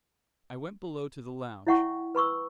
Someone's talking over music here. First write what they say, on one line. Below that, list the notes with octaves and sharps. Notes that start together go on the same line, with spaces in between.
I went below to the lounge.
E4 C#5 E5 F#5 G5 C#6
B4 B5 C#6 E6